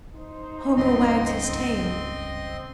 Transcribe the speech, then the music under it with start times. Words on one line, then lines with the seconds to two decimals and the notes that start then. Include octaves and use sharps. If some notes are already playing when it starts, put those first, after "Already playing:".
Homo wagged his tail.
0.16 D#4 C5
0.77 C#2 G2 C4 C#4 D#5 C6